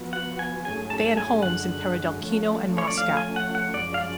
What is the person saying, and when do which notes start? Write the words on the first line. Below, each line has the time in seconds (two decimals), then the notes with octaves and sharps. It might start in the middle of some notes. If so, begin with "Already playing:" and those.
They had homes in Peredelkino and Moscow.
Already playing: F3 B3 F#4
0.13 F#5
0.39 G#5
0.65 G#2 F#3 A3 C#4 G#4 G#5
0.90 A5
1.17 G#5
1.43 F#2 D3 G#3 F#5
2.20 F3 A3 C#4
2.78 C#5
2.87 D5
2.97 F3 A3 C#4 F5
3.17 G#5
3.36 F#5
3.55 F#5
3.74 F#2 F3 G#3 C#4 D5
3.94 F5
4.01 D5